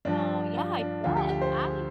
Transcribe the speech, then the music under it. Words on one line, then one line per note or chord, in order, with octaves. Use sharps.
No, yeah, I bet. I
G2 F3 D4
F4
D4
D2 D3 F3 F4
G4
G4
C5